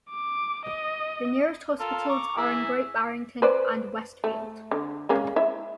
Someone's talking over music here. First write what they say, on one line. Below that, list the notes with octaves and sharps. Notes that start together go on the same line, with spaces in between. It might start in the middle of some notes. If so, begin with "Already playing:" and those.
The nearest hospitals are in Great Barrington and Westfield.
D6
D#5
F4 A4 A#4
A#5 C#6 D6
E3 G#4 E5
B4 C5 D5
A3
D3
G#3 A#3 C#4
E4 E5